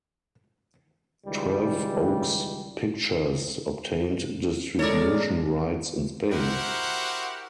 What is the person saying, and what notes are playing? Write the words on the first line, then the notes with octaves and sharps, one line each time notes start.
Twelve Oaks Pictures obtained distribution rights in Spain.
C#2 D#3 E3 G3
G#3 A4 A#4 C#5 D5
E4 F#4 G4 A#4 C5 F#5